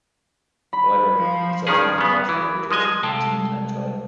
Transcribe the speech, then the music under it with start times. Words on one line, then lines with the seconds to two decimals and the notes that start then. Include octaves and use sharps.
However he subsequently lost the yellow jersey in a team time trial.
0.73 B5
1.15 F3
1.67 G2 D#3 F3 C#4 G#4
1.98 C#3 B3
2.29 E3
2.71 F3 G#3 D#5 G#5
3.03 C2 G#3 A4 F5 G5 A5